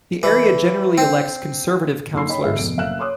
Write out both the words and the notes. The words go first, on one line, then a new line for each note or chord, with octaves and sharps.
The area generally elects Conservative Councillors.
E3
C4
F#1 D#4 A4 C6 E6 C7
C#5 D#5 G5 B5
G1 G#2 D3 E3 G#4 E5
F1 B2 D7
F#1 E5 F5 F#6 E7
C#5 C6 D6 D#6